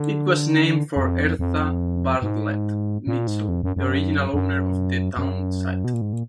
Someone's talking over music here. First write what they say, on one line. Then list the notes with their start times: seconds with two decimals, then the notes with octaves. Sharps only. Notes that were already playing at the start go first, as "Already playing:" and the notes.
It was named for Ezra Bartlett Mitchell, the original owner of the town site.
Already playing: D3
0.96 F2
1.39 F2
2.22 G#2
3.07 A#2
3.27 G#2
3.49 F2
3.63 F#2
3.76 F#2
4.34 F#2
5.17 F#2
5.84 B2
5.94 A#2
6.01 G#2
6.13 A#2